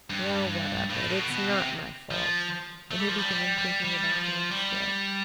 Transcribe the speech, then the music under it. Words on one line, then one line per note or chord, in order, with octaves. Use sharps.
"Well, what of it? It's not my fault." And he began thinking about the next day.
G2
A2
B2
B2
C3
F3
A3
G3
F3
G3
G3
G3
G3
F3
G3